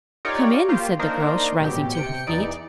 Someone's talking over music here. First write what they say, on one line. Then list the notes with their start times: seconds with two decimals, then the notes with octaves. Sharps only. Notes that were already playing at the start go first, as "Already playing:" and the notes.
'Come in,' said the Groac'h, rising to her feet.
0.25 D#4 F4 G4 A#4 C#5 D5
0.69 A#3 F4 G4 C5
0.99 A#3 D4 D#4 A#4 C5
1.60 A1 B2 F#3 G4
1.93 C3 G5 C#7
2.27 E2 E3 D#4 D5